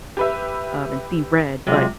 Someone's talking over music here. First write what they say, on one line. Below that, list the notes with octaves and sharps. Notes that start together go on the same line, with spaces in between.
um, and see red, but
G4 B4 E5
C3 F#3 G#3 F4